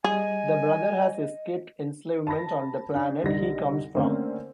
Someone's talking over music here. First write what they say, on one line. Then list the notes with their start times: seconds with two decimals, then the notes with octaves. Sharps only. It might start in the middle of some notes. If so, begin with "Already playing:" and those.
The Brother has escaped enslavement on the planet he comes from.
0.04 G3 G#4 D#5 G#5
2.27 A5 B5 A#6
2.95 D4
3.23 C2 D3 G3 D#4 A#6
3.95 D3 A3 A#3 C4 C#4